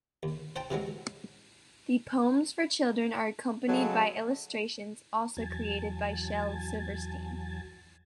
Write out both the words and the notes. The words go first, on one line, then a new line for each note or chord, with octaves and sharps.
The poems for children are accompanied by illustrations also created by Shel Silverstein.
D#2
C5 G5 A5
C3 E3 F#3 G#3
C#3 F#3 G#3 A4
E2 F#3 G#5 A5